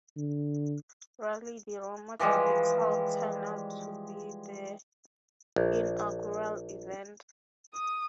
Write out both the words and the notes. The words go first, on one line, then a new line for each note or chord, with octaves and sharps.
Rally di Roma Capitale turned out to be the inaugural event.
D3
E3 F3 G3 G#3
A#1
D#6